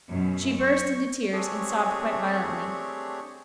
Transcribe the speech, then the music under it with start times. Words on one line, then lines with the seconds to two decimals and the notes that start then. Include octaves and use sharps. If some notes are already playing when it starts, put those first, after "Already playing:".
She burst into tears, and sobbed quite violently.
0.11 F#2 B2
0.54 C#6
1.32 A3 C4 D4 G4 G#4 C#5